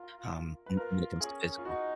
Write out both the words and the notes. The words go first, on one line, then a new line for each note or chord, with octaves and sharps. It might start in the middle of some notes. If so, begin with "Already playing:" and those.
um, w when it comes to physical
Already playing: F4 A#4
B4
F4 A#4
C#4 G#4
F4
D#4 F#4